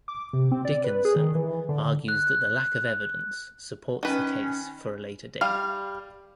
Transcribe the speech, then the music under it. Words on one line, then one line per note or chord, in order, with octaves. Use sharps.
Dickinson argues that the lack of evidence supports the case for a later date.
D6
C3
C4
D5
B4
G#4
D#3
E3
D3
F#6
D#3 C#4 B4
G3 F5